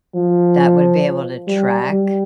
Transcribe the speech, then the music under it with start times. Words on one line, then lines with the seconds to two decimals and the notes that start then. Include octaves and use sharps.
that would be able to track,
0.15 F3
1.47 G3
1.91 G3